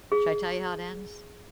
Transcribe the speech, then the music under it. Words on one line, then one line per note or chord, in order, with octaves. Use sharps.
should I tell you how it ends?
G#4